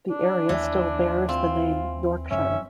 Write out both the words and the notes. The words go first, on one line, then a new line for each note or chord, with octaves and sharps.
The area still bears the name Yorkshire.
D4
D#2 E3 A3
C4 F4
F1 F#2 A3 C#4 E5